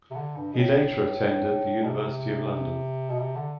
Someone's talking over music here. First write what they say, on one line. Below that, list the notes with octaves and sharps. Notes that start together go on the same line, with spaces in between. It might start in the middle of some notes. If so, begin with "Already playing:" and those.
He later attended the University of London.
C3
D3
G2
B2
A2
B2
C3
B2
C3
D3